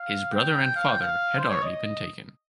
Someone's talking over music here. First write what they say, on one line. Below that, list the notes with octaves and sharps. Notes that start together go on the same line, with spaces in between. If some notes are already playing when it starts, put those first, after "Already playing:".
His brother and father had already been taken.
Already playing: F5
G5
F5
G5
F5
C5
C#5
D#5